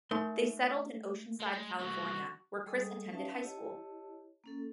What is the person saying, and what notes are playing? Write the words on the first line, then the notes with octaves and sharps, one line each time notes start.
They settled in Oceanside, California, where Chris attended high school.
A3 D#4 A#4 C6
G#3
C2 E3 F#4
G3 G#3 G#4 A4 D#5 D#6
C#4 D#4 B4 E5 F5 A5
E4 G4 C#5 D#5 A5
A#3 C#4 A4